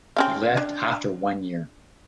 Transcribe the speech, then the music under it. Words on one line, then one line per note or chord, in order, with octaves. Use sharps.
He left after one year.
C4 C#4 F5
D4